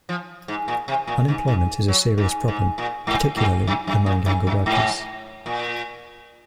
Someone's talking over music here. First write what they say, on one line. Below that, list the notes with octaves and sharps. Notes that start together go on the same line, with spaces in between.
Unemployment is a serious problem, particularly among younger workers.
F3
G#2
A#2
C3
A#2
G#2
G#2
F#3
G#2
G#2
A#2
G#2
G#2
F#2
F#2
A#2
F#2
F#2
G#2
A#2